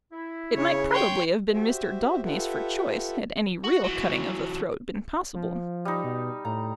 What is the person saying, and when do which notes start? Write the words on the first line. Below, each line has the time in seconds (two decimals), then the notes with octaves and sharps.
It might probably have been Mr. Daubeny's for choice, had any real cutting of a throat been possible.
0.12 E4
0.57 C#3 C#5
0.93 C#5 G5 C6
1.52 F#4 G4 C5 E5
2.24 F4 G4 A4 B4 E5 F#5
3.64 F#4
3.84 E3 F#3
5.34 F3
5.85 G3 D#4
6.04 B2
6.45 A2 A#5